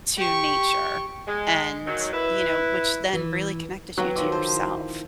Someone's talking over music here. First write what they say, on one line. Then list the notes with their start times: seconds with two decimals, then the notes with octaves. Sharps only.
to nature and you know, which then really connected you to yourself.
0.17 G4 C#6
1.27 G#3
1.86 D#3 F#3
2.13 E4 B4
3.13 E3
3.98 F#3 F#4 B4 C#5 G5
4.16 D#3 F3 D#5 C6 D6 E6
4.32 C5 A5 C6
4.53 E4